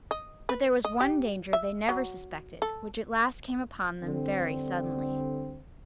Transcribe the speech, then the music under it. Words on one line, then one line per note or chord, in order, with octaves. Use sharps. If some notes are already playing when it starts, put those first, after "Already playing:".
But there was one danger they never suspected, which at last came upon them very suddenly.
D#5
B4
D#5
G4
E5
F#3
A4
D3 G3 C4